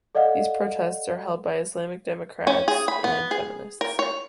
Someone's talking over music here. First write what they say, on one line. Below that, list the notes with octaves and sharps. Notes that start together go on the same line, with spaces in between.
These protests are held by Islamic democrats and feminists.
A4 D5 D#5 F5 F#5
C#4
G#4
B5
B3
G#4
A#4
C#5